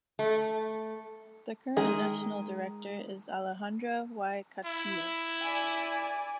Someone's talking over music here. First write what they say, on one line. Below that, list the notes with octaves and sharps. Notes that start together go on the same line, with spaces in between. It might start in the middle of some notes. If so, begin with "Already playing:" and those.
The current National Director is Alejandra Y. Castillo.
A3
D#3 G#3 G#4
E4
D5 G#5